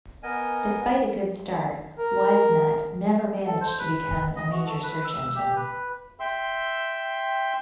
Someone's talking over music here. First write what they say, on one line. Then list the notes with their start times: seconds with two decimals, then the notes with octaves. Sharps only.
Despite a good start, WiseNut never managed to become a major search engine.
0.23 B3 A#4 D#5 G#5
1.99 A#4
3.47 A4
3.61 C5
3.79 B4
4.36 D#5
4.52 F#4
4.66 A4
4.83 B4
5.05 E6
5.35 G4
5.56 B4
6.20 E5 G5 C6 E6